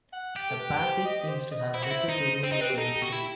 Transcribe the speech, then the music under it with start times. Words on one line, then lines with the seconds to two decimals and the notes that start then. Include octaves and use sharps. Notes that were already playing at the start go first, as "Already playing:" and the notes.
The passage seems to have little to do with the mystery.
0.13 F#5
0.36 G4 G5
0.50 A4
0.59 B4
0.82 C5
1.05 D#5
1.21 D#5
1.28 C5
1.51 D#5
1.74 E4 C5
1.82 F#4
1.90 E4
2.09 D#4
2.43 C4 C5
2.52 D#4
2.60 C4 B4
2.70 G4
2.77 D#4 A4
2.96 G4
3.02 F#4
3.12 E4